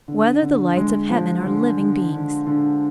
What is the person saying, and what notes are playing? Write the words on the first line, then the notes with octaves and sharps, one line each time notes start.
Whether the Lights of Heaven Are Living Beings?
D3
D3
G#3
F3
D3
D3
D3
D3